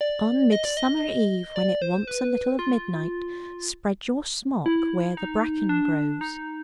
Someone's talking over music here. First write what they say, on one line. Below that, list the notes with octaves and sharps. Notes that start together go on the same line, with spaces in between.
'On Midsummer Eve, when it wants a little of midnight, spread your smock where the bracken grows.
D5
D#5
D5
D#5
D5
C5
B4
F4
E4
D#4
D4
D#4